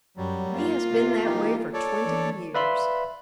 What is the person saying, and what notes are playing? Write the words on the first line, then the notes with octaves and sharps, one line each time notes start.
He has been that way for twenty years.
F#2 F#3 G3
A#3 F4
C3
E3 D#4 G4
A4 C#5 D5
E3 D4
B4 D5 E5 F5 B5 C6